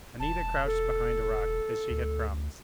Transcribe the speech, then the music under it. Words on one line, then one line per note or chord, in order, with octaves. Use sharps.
Anita crouched behind a rock, as she had promised.
E1 A5
A4
D2